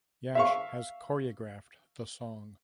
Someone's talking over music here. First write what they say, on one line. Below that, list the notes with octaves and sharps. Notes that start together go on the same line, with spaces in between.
Yash has choreographed the song.
E5 F5 C#6